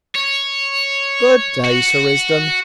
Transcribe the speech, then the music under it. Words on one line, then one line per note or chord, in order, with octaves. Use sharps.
Good day, Sir Risdon.
C#5
F#4